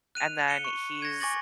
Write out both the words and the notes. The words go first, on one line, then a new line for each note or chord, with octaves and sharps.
and then he's
F#6 D#7 F7
C#7 D#7 G7
C#6
G#6 A#6
G#5 C#6 D6 A6 A#6 F#7